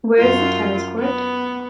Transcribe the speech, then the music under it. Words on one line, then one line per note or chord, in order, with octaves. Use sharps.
Where is the tennis court?
F#2 F4
B3